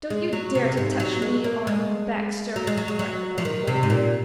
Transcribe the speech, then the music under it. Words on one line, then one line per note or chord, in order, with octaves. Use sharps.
"Don't you dare to touch me, Arnold Baxter!" cried the boy boldly.
G#3
F#3
C3
G#2
F#3
G#3
A#3
G#3
F#3
G#3
F#3
G#3
F#3
F3
D#3
C3
G#2
A#2